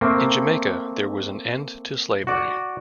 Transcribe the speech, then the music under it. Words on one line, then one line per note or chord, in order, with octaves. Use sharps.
In Jamaica, there was an end to slavery.
A3 A#3 C4
F#4 D5